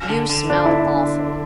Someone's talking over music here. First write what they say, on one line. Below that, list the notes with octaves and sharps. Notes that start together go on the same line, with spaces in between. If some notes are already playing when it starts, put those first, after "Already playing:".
You smell awful.
D3
D3
D4
E4